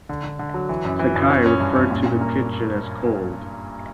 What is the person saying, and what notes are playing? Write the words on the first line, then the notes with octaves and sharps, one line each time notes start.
Sakai referred to the kitchen as cold.
D3
D3
D3
F#3
E3
F#2
E3
F#2
C#4
C#4
G2
C#4
A#2
A#2
A#3